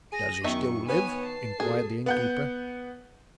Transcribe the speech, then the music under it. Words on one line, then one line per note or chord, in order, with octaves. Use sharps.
"Does he still live?" inquired the innkeeper.
G#4 A#6 D#7
F#2 D#3 B3 E5 C#6
B3 B4 C#5 G#5
A5 C7
B2 G#4 A4
B3 F#5 G6